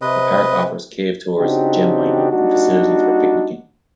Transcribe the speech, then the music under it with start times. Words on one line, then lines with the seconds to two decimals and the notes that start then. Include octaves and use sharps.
The park offers cave tours, gem mining, and facilities for picnicking.
0.02 C3 B4 D#5
1.39 C#3 C4 D4 D#4 F#4 G4
2.31 G3 A#3 D4 D#4 F#4